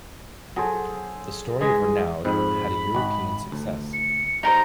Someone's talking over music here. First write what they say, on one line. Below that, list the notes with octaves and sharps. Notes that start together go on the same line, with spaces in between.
The story of Renaud had a European success.
F#3 G#4 A4 C5
E3 G#3 D#5
F2 G#2 C4 B5
G#1 F#4
D2
C#7
G3 D#4 A#4 C5